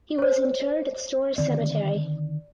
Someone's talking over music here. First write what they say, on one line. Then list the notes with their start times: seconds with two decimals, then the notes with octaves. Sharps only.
He was interred at Storrs Cemetery.
0.19 C5 C#5
1.38 D3 D#3 C4 D5